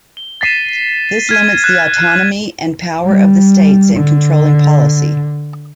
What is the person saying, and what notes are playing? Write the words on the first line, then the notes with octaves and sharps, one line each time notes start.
This limits the autonomy and power of the states in controlling policy.
G7
A6 B6 C7 D#7 E7
F6 G#6 D#7
F#6 E7
G3
D3